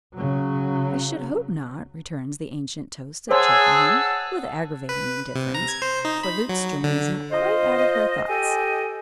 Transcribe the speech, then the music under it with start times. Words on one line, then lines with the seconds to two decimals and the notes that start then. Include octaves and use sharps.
"I should hope not," returns the ancient toast of Cheltenham, with aggravating indifference, for Lutestring is not quite out of her thoughts.
0.15 C#3 F#3
3.31 G#4 C5 C#5 F#5 G#5 A5 C6 E6
4.89 B4
5.35 C3
5.54 A#5
5.68 G#6
5.82 C5
6.05 D#4
6.23 B5
6.49 F#3
6.84 D3
7.31 F4 C5 D#5
8.28 G4 A4 D#5 G5 G#5